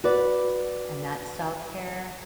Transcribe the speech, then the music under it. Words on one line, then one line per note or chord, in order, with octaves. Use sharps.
and that's self-care,
F#4 B4 D5